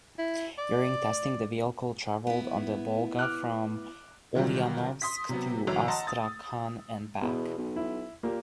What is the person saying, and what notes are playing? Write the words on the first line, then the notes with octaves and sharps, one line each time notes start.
During testing the vehicle travelled on the Volga from Ulyanovsk to Astrakhan and back.
E4
D5
B3 E4
D6 F6 F#6
A#2 D3 D#3 F#3 G3 F4
C6 D#6 B6
C3 F#3 B3
G1 E3 F#3 E6 F7
D#5 F#5 A5 A#5 C6
D#6 A6
E2 B2
B1
E4
A#2 A#3 G4